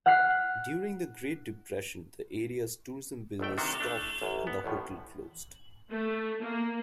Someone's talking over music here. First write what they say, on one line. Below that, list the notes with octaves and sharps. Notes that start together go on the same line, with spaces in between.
During the Great Depression, the area's tourism business stopped and the hotel closed.
F#5 F6 F#6 B6 C7
G1 C#2 A3 G5
C3 D#3 D4 F#4
A3 D4
A1 F#2
B3
A1 E2 A2 F3
A3
A#3